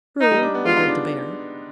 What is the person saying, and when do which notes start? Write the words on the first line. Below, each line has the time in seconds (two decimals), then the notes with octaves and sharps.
"True," muttered the Bear.
0.21 D#4
0.32 G3
0.43 D4
0.54 B3
0.65 G#3 F4
0.77 D#4
0.88 D4